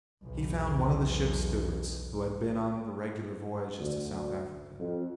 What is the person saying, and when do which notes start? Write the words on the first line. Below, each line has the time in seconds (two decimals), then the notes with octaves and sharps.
He found one of the ship's stewards, who had been on the regular voyages to South Africa.
0.23 B1 E2
3.80 D2
4.80 F2